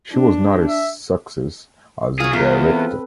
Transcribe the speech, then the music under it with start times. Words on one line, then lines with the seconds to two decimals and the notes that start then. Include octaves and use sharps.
She was not a success as a director.
0.13 D4
0.68 E5
2.20 F#3 F4 G#4
2.33 E2 F4 A#4
2.66 C4 A4 B4